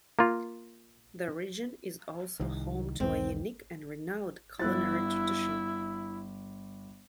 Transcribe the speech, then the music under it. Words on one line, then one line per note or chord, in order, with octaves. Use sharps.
The region is also home to a unique and renowned culinary tradition.
A#3 F4
C2 D#3
B1 E2 G#2 C4
G1 E4 F#6 A6